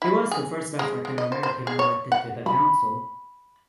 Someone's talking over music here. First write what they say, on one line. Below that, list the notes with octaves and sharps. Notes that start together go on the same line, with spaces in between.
He was the first African American elected to the council.
E4
G#4
G#3
G#3
D#5
C5
C5
G#4
C#5
F#5
B5